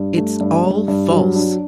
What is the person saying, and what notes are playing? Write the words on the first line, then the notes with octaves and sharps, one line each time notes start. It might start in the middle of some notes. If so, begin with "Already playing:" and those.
It's All False!
Already playing: G2
A3
G2
G2
G2
F#3
D4